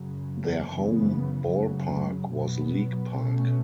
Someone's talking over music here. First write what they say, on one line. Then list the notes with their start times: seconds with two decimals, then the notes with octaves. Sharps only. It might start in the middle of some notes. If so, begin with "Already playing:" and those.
Their home ballpark was League Park.
Already playing: F#2 C#3 F#3
0.67 F#2 C#3 E3 B3
1.50 F#2 C#3 F#3
2.32 B2 F#3 B3
3.14 B2 A3 C#4